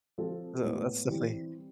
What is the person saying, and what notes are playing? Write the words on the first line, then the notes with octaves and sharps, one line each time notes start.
Ugh, that's definitely
F3 C4 F4 A4
A2 G3 B3
E3 G3 C4